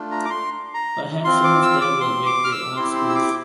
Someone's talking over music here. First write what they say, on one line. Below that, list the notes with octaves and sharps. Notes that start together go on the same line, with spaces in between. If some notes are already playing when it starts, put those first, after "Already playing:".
Perhaps some of them will make their own schools.
Already playing: A3 D4 F4
A#5
D6
C6
A#5
C4 F4 C6
D6
E6
D6
C6
D6
F6
E6
C4 E4 G4 C6
C6
E6
D6